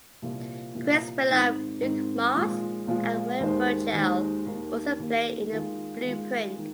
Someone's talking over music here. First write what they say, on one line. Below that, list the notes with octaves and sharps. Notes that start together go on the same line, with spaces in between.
Chris Billam, Luke Moss and Will Burchell also play in The Blueprint.
C2 A#2 F3
C2 A#2 F3
G#2 D#3 C4 D#4
G#2 D#3 C4 D#4
A#2 F3 G#3 F4
A#2 F3 G#3 F4
D#2 D#3 G#3 D#4 C5
D#2 D#3 G#3 D#4 C5
D#2 D#3 A#3
D#2 D#3 A#3
D#3 G#3 F4 G#4
D#3 G#3 F4 G#4
D#3